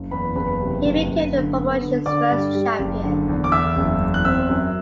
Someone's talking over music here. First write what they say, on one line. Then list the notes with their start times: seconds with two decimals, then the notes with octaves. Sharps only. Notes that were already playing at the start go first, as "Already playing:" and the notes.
He became the promotion's first champion.
Already playing: F#1
0.11 E2 B4 B5
0.36 F#1 B4 B5
0.61 C3
0.85 F#1
1.08 F#1
1.33 D3
1.58 B3
1.81 D3
2.06 D3 D5 D6
2.31 G2
2.54 G3
2.79 F#1
3.04 D3
3.28 E2
3.44 D6
3.52 E2 E5 E6
3.76 F#1
4.01 E2
4.14 F#6
4.25 C4 E5 E6
4.49 F#2